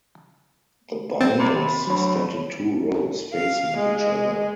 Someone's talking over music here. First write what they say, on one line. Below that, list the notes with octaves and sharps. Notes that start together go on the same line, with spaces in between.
The binders stand in two rows facing each other.
C4 A6
C3 B5
D2 F#3 C#5
F5
G#3